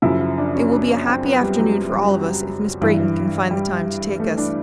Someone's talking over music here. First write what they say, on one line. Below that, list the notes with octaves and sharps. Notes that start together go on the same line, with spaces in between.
"It will be a happy afternoon for all of us if Miss Brayton can find the time to take us."
F#2 C#3 F3 E4
E4
D4
C#4
D4
C#4
C4
B3
G3
F#3
G3
G2 E3
G3
A3
D4